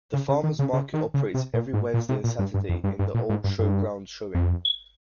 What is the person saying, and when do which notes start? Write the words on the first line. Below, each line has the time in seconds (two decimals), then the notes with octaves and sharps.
The Farmer's Market operates every Wednesday and Saturday in the old showground showing.
0.13 C#3
0.29 C#3
0.44 D#3
0.59 C#3
0.73 C#3
0.94 D#3
1.14 C#3
1.34 C3
1.54 A#2
1.73 G#2
1.94 A#2
2.09 C3
2.24 A#2
2.39 G2
2.54 G2
2.69 F2
2.84 G2
2.99 G2
3.14 A#2
3.29 G#2
3.44 G2
3.59 G2
4.35 F2